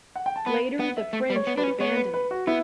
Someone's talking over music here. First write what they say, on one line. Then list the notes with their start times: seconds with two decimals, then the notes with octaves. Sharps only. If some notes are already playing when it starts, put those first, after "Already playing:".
Later the French would abandon it.
0.16 F#5
0.26 G5
0.36 A5
0.46 B3 B5
0.79 B3 F#5
0.97 E5
1.13 A3
1.30 G3
1.36 C#5
1.47 B3
1.57 D4 B4
1.63 C#4
1.80 B3 C#5
1.97 B4
2.14 B4
2.31 F#4
2.47 B3 E4